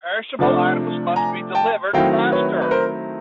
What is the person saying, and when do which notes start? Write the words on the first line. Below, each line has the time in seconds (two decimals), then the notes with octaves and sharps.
Perishable items must be delivered faster.
0.39 C3 F3 A3 D4
1.16 G#5 A#5
1.55 G5 A5
1.93 D#3 F#3 A3 C4 E4 F5 G5
2.32 B4 C#5
2.62 B4
2.71 A#4 C5